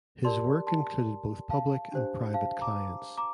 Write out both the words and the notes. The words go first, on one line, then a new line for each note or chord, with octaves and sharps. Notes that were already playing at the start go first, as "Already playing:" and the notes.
His work included both public and private clients.
G4 A#4 D5 A5 C6
A5 C6
F5 A5
D4 G4 C5
F5 A5
A#5 D6
A#5 D6